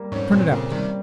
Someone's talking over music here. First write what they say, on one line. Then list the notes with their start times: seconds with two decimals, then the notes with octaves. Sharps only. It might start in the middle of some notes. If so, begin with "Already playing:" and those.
"Turn it out!"
Already playing: G3 A#3
0.12 F2 G#2 C#4
0.31 G2 A#2 C4
0.51 A#2 C#3 A#3
0.71 C3 D#3 G3